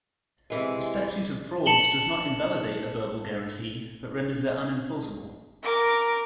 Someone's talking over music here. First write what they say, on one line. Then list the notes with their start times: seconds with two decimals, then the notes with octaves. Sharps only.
The statute of frauds does not invalidate a verbal guarantee, but renders it unenforceable.
0.50 C3 E3 G#3
1.66 A5 C#7 E7 F#7 G7
5.63 A#4 D6